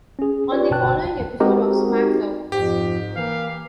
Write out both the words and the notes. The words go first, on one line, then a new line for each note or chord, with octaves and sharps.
On the following episode of SmackDown!
C#4 G#4
D#4 F4 G4 B4 C#5 D5
G1 B2 F#4 G5 A5 F#6
G#3 C4 D#4 F#4 G4 A#4
F2 G#2 G4
E3 A#3 F5